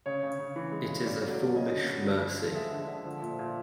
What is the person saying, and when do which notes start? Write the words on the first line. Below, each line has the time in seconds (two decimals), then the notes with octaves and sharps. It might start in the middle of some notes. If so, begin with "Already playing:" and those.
It is a foolish mercy.
0.06 C#3 C#5
0.23 C#3
0.39 C#3
0.56 E3
0.72 G#3
0.89 C#3
1.06 C#4 D5
1.22 F#3
1.30 D5
1.38 A#3
1.55 C#4 D#5
1.72 D3
1.89 F#3
2.05 D3
2.22 F3
2.39 F3
2.55 G#3 E5
2.71 D3
2.88 D3
3.04 F3
3.22 A#2
3.39 A#2